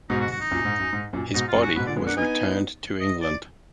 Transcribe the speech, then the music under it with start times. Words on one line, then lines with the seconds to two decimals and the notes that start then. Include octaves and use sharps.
His body was returned to England.
0.10 G#2 B2 D#4
0.20 F#4
0.31 F#4
0.40 D#4
0.51 F#2 A#2
0.65 G#2
0.79 F#2
0.93 G#2
1.13 F#2 A#2
1.34 G#2 B2 D#4
1.48 F4
1.55 F#2 A#2
1.62 F#4
1.75 G#2 B2 B4
1.86 A#2 D3 D5
1.96 G#3 B3
2.06 A#3 D4 F#5
2.17 B3 D#4 G#5
3.00 D#5
3.21 D5